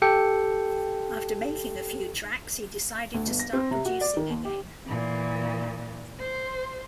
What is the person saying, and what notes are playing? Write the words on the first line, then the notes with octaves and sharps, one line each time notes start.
After making a few tracks, he decided to start producing again.
G4 A4 G5 C#7
D2
G1
A#6
C4
C3
F#4
D5
D#3
D#2
G4
A#2 E3
C5